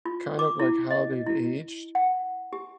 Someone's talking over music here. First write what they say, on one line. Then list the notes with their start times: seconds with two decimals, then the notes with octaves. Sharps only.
kind of like how they've aged,
0.05 F4
0.39 D6
0.60 E4
0.90 D#5
1.26 E4
1.95 F#5
2.53 G4